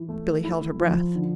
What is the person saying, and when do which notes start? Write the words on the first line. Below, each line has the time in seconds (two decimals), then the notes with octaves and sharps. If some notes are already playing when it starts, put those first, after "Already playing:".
Billy held her breath.
Already playing: E3
0.09 A3
0.44 E4
0.80 F3
1.15 D3